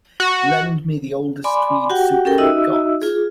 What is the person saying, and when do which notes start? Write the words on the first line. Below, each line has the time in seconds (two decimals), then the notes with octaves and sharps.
Lend me the oldest tweed suit you’ve got.
0.20 F#4
1.44 D5 G#5 B5 C6 D6
1.90 F#4 G4 F#5 G5
2.25 C#4 G4 A4 A#4 G5
2.38 D#4 F#4 D#5 E5 E6
3.02 F4 G#4